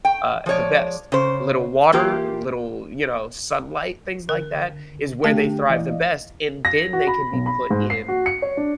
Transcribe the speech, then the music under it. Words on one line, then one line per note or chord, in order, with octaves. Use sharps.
uh, the best. Little water, little, you know, sunlight, things like that is where they thrive the best, and then they can be put in
G5
F3 G#3 C#5 D5
C#3 C5
E3 A#3 F4 G4
D3 A#4
D3 A3 G4 G5 A5
E3 D5 D#5 F5
A#6
F#4
B5
B1
B5
G#2
C7
F#4
C#7
C#5
D4